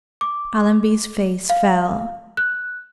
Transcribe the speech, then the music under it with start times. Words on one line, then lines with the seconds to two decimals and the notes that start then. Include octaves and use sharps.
Allenby's face fell.
0.21 D6
1.50 F5
2.37 F#6